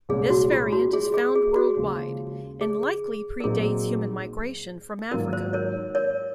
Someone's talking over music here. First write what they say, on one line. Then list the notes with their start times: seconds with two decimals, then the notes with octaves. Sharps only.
This variant is found worldwide, and likely predates human migration from Africa.
0.09 C2 A#2 G#3 C#4 G#4
0.30 F#4
0.51 F4
0.72 F#4
0.93 G#4
1.14 G#4
1.35 G#4
1.56 F#4
1.76 D#2 C#3 F3 G#3
2.61 G#4
3.40 A#4
3.44 A#1 A#2 F#3 C4 D#4 G#4
5.11 G#2 D#3 F#3 A#3 F4 A#4
5.33 C5
5.53 A#4 C#5
5.95 A#4 C#5